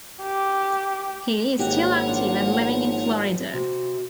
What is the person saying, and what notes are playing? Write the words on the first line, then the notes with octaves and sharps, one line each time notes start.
He is still active and living in Florida.
G4
G#1 A#3 D#4 F#4 G4 C#5 F#5
F3 D4
C3 F#4